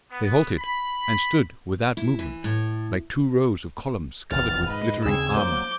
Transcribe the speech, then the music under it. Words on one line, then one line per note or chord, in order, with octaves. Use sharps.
They halted and stood without movement, like two rows of columns covered with glittering armor.
B3
B5
E4
E3
A2
F1 A#1 E2 F6 A6
G#2 B4 D#5
D#2 C#3 C4 G#4 E6 G#6
F#3 A#3 C5 D6 G6